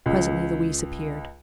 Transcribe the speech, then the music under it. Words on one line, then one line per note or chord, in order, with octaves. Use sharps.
Presently Louise appeared.
C#2